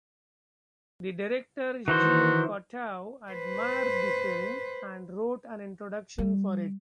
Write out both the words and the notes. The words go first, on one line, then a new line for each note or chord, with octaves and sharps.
The director Jean Cocteau admired the film, and wrote an introduction for it.
D#3 E3 F#4 C5
B4 C5
G3